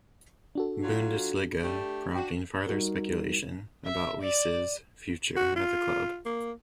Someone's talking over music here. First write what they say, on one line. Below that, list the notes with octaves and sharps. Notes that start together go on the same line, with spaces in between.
Bundesliga, prompting further speculation about Wiese's future at the club.
D4 F#4 A4
F#3 F4
A3 D4 G4
D4 F#4 G5
G3 D#4 F#4 A#4
E5
D5
F#4
F4
A#3